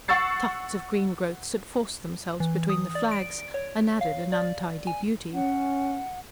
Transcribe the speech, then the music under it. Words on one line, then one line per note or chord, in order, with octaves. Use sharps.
Tufts of green growths had forced themselves between the flags, and added an untidy beauty.
F#5 C#6 E6 A6 C7
E3
D#6
D5
D7
C#5
F5
D5
G#5
C#4 F#5